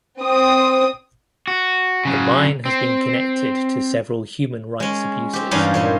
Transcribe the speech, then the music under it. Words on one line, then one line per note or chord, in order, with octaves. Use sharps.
The mine has been connected to several human rights abuses.
C4 D#6
F#4
C#3 F#3
C4
G#3 C#4
C4 G4
E2 G2 G3 C#4 D#4 F5
A#2 C4 C#4